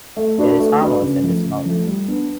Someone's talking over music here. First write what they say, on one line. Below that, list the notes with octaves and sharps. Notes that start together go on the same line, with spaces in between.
It is harmless in this mode.
A3
D4 F#4 B4 D5
A3
D4 F#4 B4 D5
C#3
F3 A3
C#3
F3 A3
G3
B3 D4